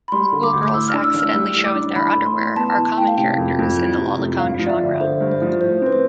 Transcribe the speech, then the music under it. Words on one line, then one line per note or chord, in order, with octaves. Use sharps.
Schoolgirls accidentally showing their underwear are common characters in the lolicon genre.
B5
G3 C6
D3
D6
D2
D6
A2 E6
F6
D4
E6
A1
F6
G3 E6
A2
D6
D4
E3 B5
A2
C6
A2
B3 A5
E3
A5
A2 G5
F5
C3 G5
F2
F2
E3
C3
F2
G2 F5
F3
D5
E5
G1
D3 C5
G2
C5
F3
A2 C5
C4 B4
C5